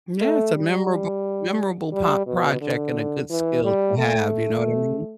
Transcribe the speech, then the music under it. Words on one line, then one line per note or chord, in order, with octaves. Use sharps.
Yeah. It's a memorab memorable po project and a good skill to have, you know what I mean?
A3
G3
G3
B2
D3
E3
G3
A3